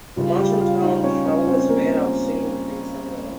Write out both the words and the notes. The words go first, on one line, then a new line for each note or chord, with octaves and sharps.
The Marshalltown trowel is made of a single piece of metal.
C#3 G3 F4
G3 G4
F4 F5
D#4 D#5
C#4 C#5
C#4 C#5
C4 C5
A#3 A#4